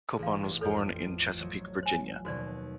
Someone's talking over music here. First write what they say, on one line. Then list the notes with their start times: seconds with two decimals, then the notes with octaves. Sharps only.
Copon was born in Chesapeake, Virginia.
0.19 A1 G#4 F5
0.61 F2 A4 C#5 F6
1.40 F3 F#3
1.83 C5 G#5
2.25 D#2 B2 F#4 C5 D5